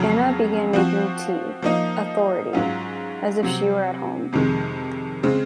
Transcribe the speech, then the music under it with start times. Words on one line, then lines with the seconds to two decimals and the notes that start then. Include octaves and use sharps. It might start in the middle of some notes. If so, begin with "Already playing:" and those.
Anna began making tea, authority, as if she were at home.
Already playing: F2 C#3 F#3
0.73 F3 C4 F#4
1.62 F3 A#3 D#4
2.53 G#2 F#3 C#4 F4
3.43 C3 F#3 C4
4.33 F2 C3 D#3 G#3
5.23 C#3 G#3 C4